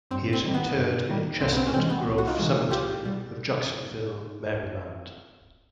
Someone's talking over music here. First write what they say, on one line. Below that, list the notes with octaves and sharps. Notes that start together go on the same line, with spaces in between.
He is interred in Chestnut Grove Cemetery of Jacksonville, Maryland.
G2 C4
C4
D#3 G3
B3
G2
D#3 G3
C2 C4
B3
C4
C#4
C3 E3 G#3 C4
B3
C2
F#4
D#4 F4
C3 E3 G#3
B1 F4 G4
B2 G3